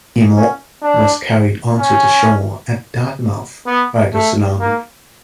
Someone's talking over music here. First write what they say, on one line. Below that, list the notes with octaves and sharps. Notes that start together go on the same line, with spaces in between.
"Imo" was carried onto the shore at Dartmouth by the tsunami.
C#4
D4
C#4
B3
A3
A#3